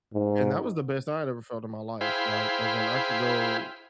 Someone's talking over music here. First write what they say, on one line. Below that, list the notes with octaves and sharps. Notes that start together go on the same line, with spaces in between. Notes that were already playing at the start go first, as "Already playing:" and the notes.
and that was the best I had ever felt in my life, like, 'cause then I could go,
G#2
E4 G#4 C5 F5 G5 B5